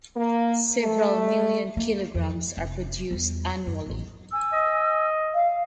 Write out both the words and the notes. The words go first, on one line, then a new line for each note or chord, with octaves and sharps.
Several million kilograms are produced annually.
A#3
A3
A#3
F2
F1
E2 G3
F#2
A1 E2
G#5 E6
D#5
F5